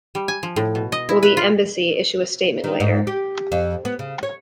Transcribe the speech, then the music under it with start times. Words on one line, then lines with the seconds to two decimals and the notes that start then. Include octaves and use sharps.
Will the embassy issue a statement later?
0.15 G3
0.28 G#5
0.43 F3
0.56 A2
0.75 B2
0.92 D#5
1.09 E4
1.23 B4
1.37 F4
2.64 D#3
2.80 G#2
3.07 G4
3.52 F2
3.85 B3
3.99 C#3
4.23 C#5